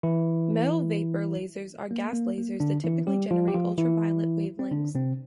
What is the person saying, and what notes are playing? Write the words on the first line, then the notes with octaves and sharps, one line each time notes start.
Metal-vapor lasers are gas lasers that typically generate ultraviolet wavelengths.
E3 E4
A#3
A#3
A#3
D3 D4
E3 E4
G3 G4
F3 F4
G4
F3 F4
E3 E4
C4
D3 D4
C3 C4